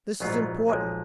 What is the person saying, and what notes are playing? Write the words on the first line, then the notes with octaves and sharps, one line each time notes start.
This is important.
A#1 G#2 F#3 B3 F4
B1 A#2 F3 G#3